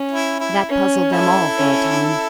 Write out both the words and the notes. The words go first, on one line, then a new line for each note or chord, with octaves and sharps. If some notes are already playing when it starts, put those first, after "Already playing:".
That puzzled them all for a time.
Already playing: C#4
E4
E4
C#4
E4 A4
C#4